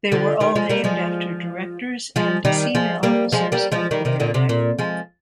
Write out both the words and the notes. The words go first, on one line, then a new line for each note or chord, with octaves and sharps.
They were all named after directors and senior officers of the railway.
D3 F3
D#3 G3
F3 G#3
G3 A#3
F3 G#3
F3 G#3
D#3 G3
F3 G#3
G3 A#3
F3 G#3
G3 A#3
F3 G#3
D#3 G3
C3 D#3
A#2 D3
C3
A#2
F3 G#3